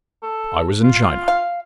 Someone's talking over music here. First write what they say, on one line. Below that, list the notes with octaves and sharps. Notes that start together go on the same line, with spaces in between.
I was in China.
A4
F4
F5